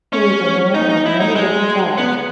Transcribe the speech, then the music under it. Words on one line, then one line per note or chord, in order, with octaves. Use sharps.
He was a man of many different sides.
C#4
D#4
D#4
E4
D#4
G#3
B3